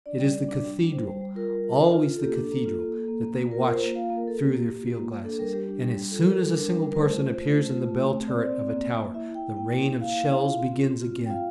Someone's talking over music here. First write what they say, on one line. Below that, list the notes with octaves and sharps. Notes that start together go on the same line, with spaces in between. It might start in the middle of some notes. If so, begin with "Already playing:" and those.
It is the cathedral, always the cathedral, that they watch through their field-glasses, and as soon as a single person appears in the bell turret of a tower the rain of shells begins again.
D4 D5
G3
G3
D4
G3
D4
G3 C5
G3
G3
F4 A#4
G3
F4
D4
F4
F4
A4
A#3 G4
D4
A4
A#3
F4
A#3
A#3
A#3
A#3
A#3
F4 A#4
F4 A#4
C5
A#3
F4 F5
A#3
A#4
A#3 A4
A#3 G4
A#3
A#3
F4
A#3
A#3
D4 A4
G3 A#4
G3 G4
D4
G3
G3
F4 A4
G3 A#4
G3 A4
D4 A#4
G3
G3
A#4
A3 C5
F4
F4
A3
A3
F4
A3
A3
C4
C4 D5
C5
C4 D5
C4
A#3
A#3
A#3
E4 E5
E4
G5
E4
A#3 G5
E4
E4
A#3 F5
E4
E4
F4
C4
F4
C4
F4
C4
G5
F4 F5